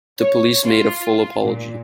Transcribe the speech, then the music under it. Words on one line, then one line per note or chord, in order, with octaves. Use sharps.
The police made a full apology.
C#5
F4
A#2